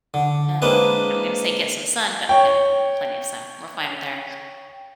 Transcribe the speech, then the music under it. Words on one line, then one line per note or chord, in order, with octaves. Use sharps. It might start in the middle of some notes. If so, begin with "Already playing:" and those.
Um, I'm gonna say get some sun, but we got m plenty of sun. We're fine with there,
D3
G#3 A#3 C4 D4 B4
C#5 G5